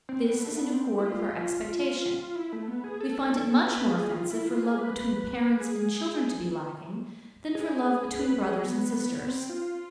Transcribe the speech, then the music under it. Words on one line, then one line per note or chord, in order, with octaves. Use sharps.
This is in accord with our expectation; we find it much more offensive for love between parents and children to be lacking than for love between brothers and sisters.
C4
B3
A3
B3
C4
E4
F4
E4
A3
B3
G#4
A4
B4
G#4
F4
E4
F4
G#4
B4
G#4
G#4
B4
G#4
B3
B3
B3
C4
F4